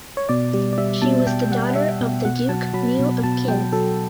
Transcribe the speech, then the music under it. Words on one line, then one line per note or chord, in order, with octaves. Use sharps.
She was the daughter of the Duke Mu of Qin.
C#5
B2 D5
G3
D5
G3 E5
B2 A5
B2 G5
G3 F#5
G3 E5
B2
B2 F#5
F#3 A5
F#3 B5
B2
B2 A5
F#3 G5
F#3 A4